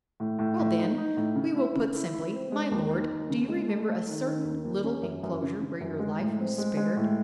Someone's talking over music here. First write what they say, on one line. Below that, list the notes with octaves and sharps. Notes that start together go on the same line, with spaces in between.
"Well, then, we will put simply, My Lord, do you remember a certain little enclosure where your life was spared?"
A2
A2
A2
D#4
D#4
A2
C#3
E4
C#3
E4
E4
C4
G#3
D#2
D#4
D#2
C#3
G#3
A3
A3
D#3
D#3
D#2
D#2
C#4
F#2
F#2
C#3
C#3
F#2
G#3
A2
C4
G#3
G#3
A2